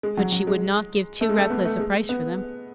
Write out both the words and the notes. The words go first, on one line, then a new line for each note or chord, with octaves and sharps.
But she would not give too reckless a price for them.
G#3
F#3
F#3
G#3
A3
G#3
A3
B3
A3
G#3
B3